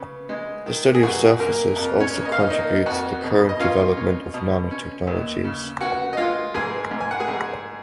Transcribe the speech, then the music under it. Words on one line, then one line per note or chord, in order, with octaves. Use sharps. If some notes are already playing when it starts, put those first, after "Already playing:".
The study of surfaces also contributes to the current development of nanotechnologies.
Already playing: C#3 B3
G#3
D#3
G#4
F#2 F#4
F#2 A#3 A#4
F2
C#4 C#5
A#3
D#5
F5
D#4 D#5
A#3 D#4 D#5
F2 F#4 F#5
B2
D#5
C#4 F4 F5
C#4
B2
C#4
D#2
C#3
C#4 F#4 F#5
D#5
G#3 F4 F5
G#2 G#4 G#5
G#2
G#5
F#5
G#4 G#5
G#2